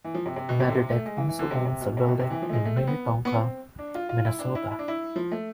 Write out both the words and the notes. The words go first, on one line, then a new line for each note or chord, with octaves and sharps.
Meditech also owns a building in Minnetonka, Minnesota.
E3
F3
C3
C3
B2
C3
D3
C3
A3
G#3
E3
E3
D3
C3
C3
B2
C3
B2
C3
E3
F3
A3
G#3
A3
C4
B3
B3
C4
D4
F4
F4
E4
D4
E4
E4
D4
E4
F3
A3